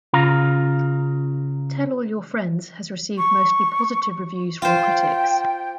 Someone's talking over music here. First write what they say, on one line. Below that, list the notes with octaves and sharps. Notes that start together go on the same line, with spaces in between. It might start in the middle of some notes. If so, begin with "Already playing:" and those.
"Tell All Your Friends" has received mostly positive reviews from critics.
C#3 F4 A#5
C#6
F4 C5 G5